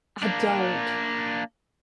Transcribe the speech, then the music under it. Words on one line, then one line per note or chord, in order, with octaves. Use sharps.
I don't.
A#3 D4